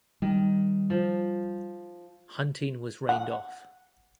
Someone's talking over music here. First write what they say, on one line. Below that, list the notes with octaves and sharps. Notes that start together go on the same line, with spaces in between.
Hunting was rained off.
D#3 G3
F3
F#5